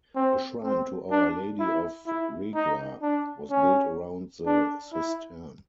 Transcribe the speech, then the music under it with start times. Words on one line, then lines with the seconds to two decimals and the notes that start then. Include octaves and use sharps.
A Shrine to Our Lady of Regla was built around the cistern.
0.16 C4
0.64 C4
1.11 D4
1.60 E4
2.07 E4
2.55 D#4
3.02 D4
3.51 C#4
4.46 D4
4.93 E4